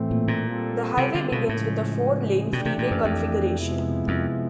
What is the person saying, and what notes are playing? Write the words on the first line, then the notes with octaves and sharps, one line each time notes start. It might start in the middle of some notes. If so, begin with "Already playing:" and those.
The highway begins with a four-lane freeway configuration.
Already playing: A2 E3 A3 C4
A#2
A#2
G3 C4 F4 A4
C3
D3
B2
A2 C#3 F3 G#3
B2 E3 A3 D4 G4
C3
A#2
F#2
F2
C3 F3 G#3 B3 E4
F2